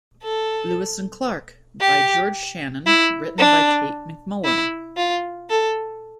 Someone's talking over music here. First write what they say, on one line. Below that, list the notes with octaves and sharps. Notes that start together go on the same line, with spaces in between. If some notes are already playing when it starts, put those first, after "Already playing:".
Lewis and Clark, by George Shannon written by Kate McMullan.
A4
G4
E4
D4
E4
F4
A4